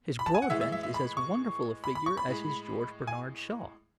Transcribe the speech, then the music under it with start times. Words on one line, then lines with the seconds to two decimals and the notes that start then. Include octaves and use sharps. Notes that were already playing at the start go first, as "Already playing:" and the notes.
His Broadbent is as wonderful a figure as his George Bernard Shaw.
0.19 B5
0.26 A5
0.35 G#5
0.42 F#5
0.50 A2 E3 G#3 E5
0.61 E5
0.72 E5
0.83 E5
0.94 B5
1.17 C#6
1.84 B5
1.95 B5
2.06 C#6
2.17 B5
2.28 A2 G#3
3.07 G#5